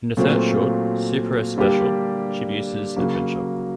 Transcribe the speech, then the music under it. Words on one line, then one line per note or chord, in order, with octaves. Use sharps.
In the third short, SuperS Special: Chibiusa's Adventure!
A#2 F#3 A3 C4 F4
D3 G3 A#3 D4 G4
C#3 F#3 A#3